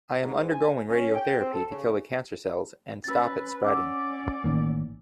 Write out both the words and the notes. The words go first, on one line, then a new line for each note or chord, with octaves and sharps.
I am undergoing radiotherapy to kill the cancer cells and stop it spreading.
G#2
G#5
C#4
G5
C4
A4
C#3
C#4 B4 E6 A6
C#4 D5 F#5 D6 E6
A1 D#3 A#3